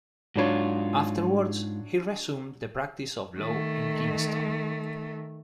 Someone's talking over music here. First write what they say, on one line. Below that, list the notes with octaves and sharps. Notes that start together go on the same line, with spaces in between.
Afterwards he resumed the practice of law in Kingston.
G#2 F#3 D4 F4 C#5
D#3 A3